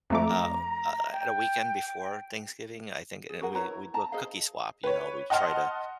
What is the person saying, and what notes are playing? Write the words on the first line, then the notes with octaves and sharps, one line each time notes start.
uh, uh, at a weekend before Thanksgiving, I think, and we we do a cookie swap, you know? We try to
F2 A3 A#5 D6
G5
G#4
F#4 G#4 A#4 F#5
E4 B4 C#5 A#5
A5 A#5
G#4 C5 D#5 F5
B4 C#5
D#5 F#5 A5 C6 F6